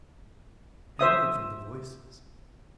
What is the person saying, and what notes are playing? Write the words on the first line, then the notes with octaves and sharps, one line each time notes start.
I knew it from the voices.
C5 E5 D#6